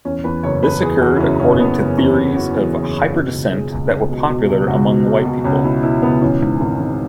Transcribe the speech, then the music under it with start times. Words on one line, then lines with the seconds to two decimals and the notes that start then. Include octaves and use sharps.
This occurred according to theories of hyperdescent that were popular among white people.
0.05 E2 C#4
0.24 E2 B4
0.43 F#1 C#5
0.63 E2 B4
0.82 E2 G#4
1.01 E2 F#4
1.17 E4
1.20 F#1 C#4
1.40 F#1 C#4
1.59 F#1 B3
1.79 F#1
1.98 E2 C#4
2.17 F#1
2.36 E3 F#4
2.56 E2
2.75 F#1 G#4
2.95 F#1
3.14 B2
3.33 C#2
3.52 C#2 G#4
3.72 C#2
3.90 C#2
4.10 B2
4.29 B2
4.48 C#2
4.68 C#2 F#4
4.87 B2
5.06 B2
5.25 B2
5.44 C#2 C#4
5.64 B2 E4
5.83 B2 E4
6.02 C#2 B3
6.22 E3 C#4
6.41 G#2
6.61 G#1
6.80 G#1